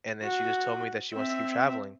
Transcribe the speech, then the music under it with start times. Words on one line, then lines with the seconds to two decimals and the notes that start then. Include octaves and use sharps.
and then she just told me that she wants to keep traveling,
0.23 F#4
1.13 C4 E5